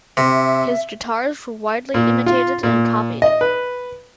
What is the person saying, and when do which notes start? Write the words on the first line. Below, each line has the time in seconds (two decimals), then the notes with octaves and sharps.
His guitars were widely imitated and copied.
0.17 C3 E5
1.94 A#2
2.26 F4
2.63 A#2
3.22 D#5
3.41 B4